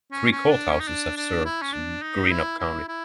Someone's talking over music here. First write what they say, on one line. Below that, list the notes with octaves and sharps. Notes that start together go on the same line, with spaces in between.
Three courthouses have served Greenup County.
C#4
C#4
D4
C#4
D#4
D4
D4
E4
C#4
D4
D#4
E4
E4
E4